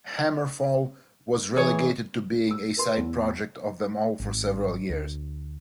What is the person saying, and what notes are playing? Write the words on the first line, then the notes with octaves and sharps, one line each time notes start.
HammerFall was relegated to being a side project of them all for several years.
E3 G#4 C#5
E6
A#4 B4 C6
E2
G#1
D2